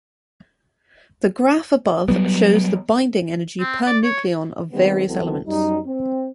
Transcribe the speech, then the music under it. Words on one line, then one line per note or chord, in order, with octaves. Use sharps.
The graph above shows the binding energy per nucleon of various elements.
F#3 G3 B3
C4
D5
C#5
D#3 G3 G#3 B3 C4 G4
C#2 E3 F#3 B3 C4 A4
F#2 G3 D#4
C4